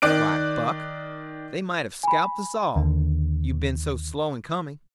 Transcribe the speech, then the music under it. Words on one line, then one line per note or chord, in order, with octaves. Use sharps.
"Why, Buck, they might have scalped us all, you've been so slow in coming."
D#3 D5 F#6 D7
G#5 B5
D#2 D3